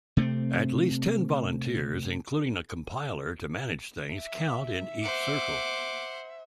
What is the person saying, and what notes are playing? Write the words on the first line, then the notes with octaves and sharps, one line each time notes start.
At least ten volunteers, including a compiler to manage things, count in each circle.
C3 A3 B3 C4
E5
C5 F#5 D6